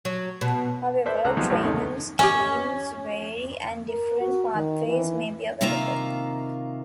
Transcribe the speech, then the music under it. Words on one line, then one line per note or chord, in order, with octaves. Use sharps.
However training schemes vary and different pathways may be available.
F#3
B2
A4 B4 C5 D5 E5
C#2 A4 A#5 F#6
F3 F#3 G#3 B3 C4 D#4
A1 F#2 A2
D#2 C3 D#3 G#3 A3 C#4
C#4 G4 D#5 G#5
A#4
F#4
D#3
E3
C3 D#3 A#3 F4 E5 A#5